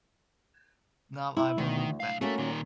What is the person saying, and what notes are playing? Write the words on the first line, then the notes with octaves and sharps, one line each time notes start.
Now I’ll look back.
E4
D2 D#3
B1 F5
A3 A#3 C#4 F#4
A#2 D#3